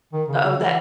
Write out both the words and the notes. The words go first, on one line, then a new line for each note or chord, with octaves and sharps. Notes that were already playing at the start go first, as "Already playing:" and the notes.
Oh, that
D#3
C#3
C#3
E3